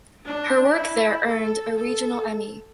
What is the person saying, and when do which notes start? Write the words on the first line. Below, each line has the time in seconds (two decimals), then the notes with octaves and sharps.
Her work there earned a regional Emmy.
0.25 D4
0.76 E4
1.26 A4
1.77 A4